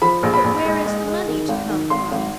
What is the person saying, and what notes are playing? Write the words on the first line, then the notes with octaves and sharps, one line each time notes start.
But where is the money to come from?
F3 B5
A#1
B5
A#1
G#3
G#3
G#3
D#3
G#1
D#3
G#1 C6
G#1